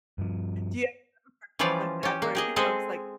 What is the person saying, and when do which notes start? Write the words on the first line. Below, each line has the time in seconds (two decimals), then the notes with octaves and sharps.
Do you have some friendship like that, where it becomes, like,
0.18 G2 F3
1.59 E3 F3 G3 C#4 F4 D5
2.03 C#4 G4
2.22 A#3
2.35 G4 G#4 D#5
2.56 G#3 C4 G#4 A4 D#5